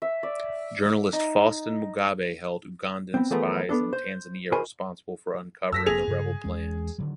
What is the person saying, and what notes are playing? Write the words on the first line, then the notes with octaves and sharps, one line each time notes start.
Journalist Faustin Mugabe held Ugandan spies in Tanzania responsible for uncovering the rebel plans.
E5
D5
D#4
B3 C4
E3 F3 A3 B3 G#4 A#4
B3 D4 A4
C5
F#4 A#4 C5 D#5 G#5 B5
F#2 E6 A#6 B6
F1 A#3 C4 G#4 F7
G2 C#3
E2 G#3 C#4
D3 D#3 F#3